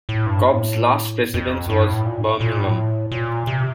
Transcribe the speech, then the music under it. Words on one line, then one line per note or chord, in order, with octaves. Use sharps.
Cobb's last residence was Birmingham.
A2
G2
A2
F2
G2
A2
A#2
A#2
A2
A#2
C3